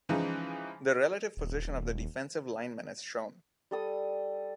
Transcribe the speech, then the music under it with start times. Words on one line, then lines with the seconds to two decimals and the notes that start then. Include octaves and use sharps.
The relative position of the defensive linemen is shown.
0.09 C#3 E3 F3 G#3 D#4
1.37 D#1
3.71 G3 A4 D#6